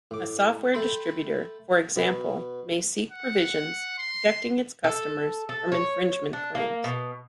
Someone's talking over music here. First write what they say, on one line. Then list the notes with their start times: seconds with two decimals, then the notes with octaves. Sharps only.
A software distributor, for example, may seek provisions protecting its customers from infringement claims.
0.11 A2 D6
0.74 A3 A4 G5 B5 C6
1.96 B2 B4
3.12 F#5
3.98 C6
4.84 A4
5.49 A4
5.72 C#5
6.33 D4
6.55 A#3
6.84 B2